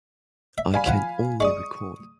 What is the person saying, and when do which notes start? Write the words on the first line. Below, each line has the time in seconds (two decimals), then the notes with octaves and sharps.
I can only record.
0.58 E5
0.74 G2 F5 G#5 B5
0.86 F3 F4 F#5
1.40 G#3 D5 C#6 D#6